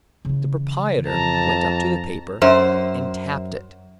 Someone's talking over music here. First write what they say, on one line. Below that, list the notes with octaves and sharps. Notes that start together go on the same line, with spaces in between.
The proprietor went up to the paper, and tapped it.
C#3 E3
F2 A5 A#5
F#2 C5